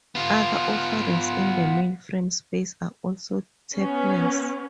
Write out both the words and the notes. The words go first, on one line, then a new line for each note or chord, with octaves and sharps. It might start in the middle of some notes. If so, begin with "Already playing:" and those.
Other offerings in the mainframe space are also "tapeless".
B3 F4
B3 C#4